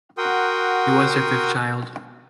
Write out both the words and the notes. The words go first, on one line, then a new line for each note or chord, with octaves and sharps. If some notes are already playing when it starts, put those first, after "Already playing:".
He was their fifth child.
F#4 A#4 F#5 G5 C6 D#6